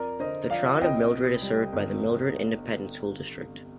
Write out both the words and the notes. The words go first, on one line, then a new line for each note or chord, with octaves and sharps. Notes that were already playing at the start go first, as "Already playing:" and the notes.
The Town of Mildred is served by the Mildred Independent School District.
Already playing: F2 A#4 D5
D3 C5 D#5
F3 D5 F5
C2 D#5 G5
C3
G3
G1